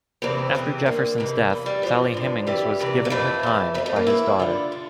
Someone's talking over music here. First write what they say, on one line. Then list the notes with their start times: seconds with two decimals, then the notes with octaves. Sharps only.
After Jefferson's death, Sally Hemings was "given her time" by his daughter.
0.22 E2 C3 E3 C4
0.55 E2 C3 E3
0.86 E2 D3 A#3
1.18 F2 C3 E3
1.50 E2 E3
1.66 G3
1.82 G2 E3 F3
2.14 G2 D3
2.47 F2 E3 G3
2.79 D2 C3 E3
3.05 A#3
3.10 F2 C3 E3 A3
3.43 E2 E3
3.74 F2 F3
3.78 E3
3.86 A3
3.96 A#3
4.07 E2 E3 E4
4.39 G2 D3 F4
4.72 D3